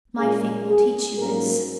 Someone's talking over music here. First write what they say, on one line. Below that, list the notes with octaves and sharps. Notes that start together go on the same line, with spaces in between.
My fate will teach you this..
A#2 G#3 C#4 G#4
G#4
G#2 F#3 A#3 C#4 A#4